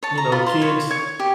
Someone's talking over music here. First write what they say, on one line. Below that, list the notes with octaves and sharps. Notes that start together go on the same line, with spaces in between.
you know, kids
C#5 A5
A#5
F4 B5
C6
C#5
C#5
G4